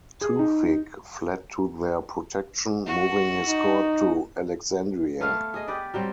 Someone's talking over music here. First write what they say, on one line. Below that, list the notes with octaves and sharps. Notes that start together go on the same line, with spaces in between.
Tewfik fled to their protection, moving his court to Alexandria.
G#4
D#4
F#4
D#4
A3 B3 F5
G#4 D#5
G4 B4 D5
F#3 G3 C4